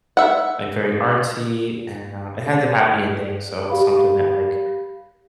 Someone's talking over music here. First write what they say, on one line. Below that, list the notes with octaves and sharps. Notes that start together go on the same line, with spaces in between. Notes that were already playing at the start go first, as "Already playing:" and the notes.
like, very artsy and, uh, it has a happy ending, so it's something that, like,
E5 F#5
G4 F5 B5